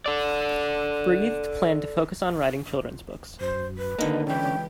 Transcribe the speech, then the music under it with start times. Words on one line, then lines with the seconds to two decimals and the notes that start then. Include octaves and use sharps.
Breathed planned to focus on writing children's books.
0.06 A4 D5
3.40 F#2 C5
3.78 B4
3.99 D3 D#3 A#3 D#5
4.27 C#2 D3 E3 C#4 G5